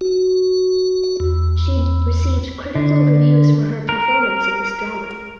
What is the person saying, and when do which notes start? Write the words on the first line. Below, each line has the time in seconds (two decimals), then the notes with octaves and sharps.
She received critical reviews for her performance in this drama.
0.01 F#4
1.20 E2
2.75 D3
3.89 A#4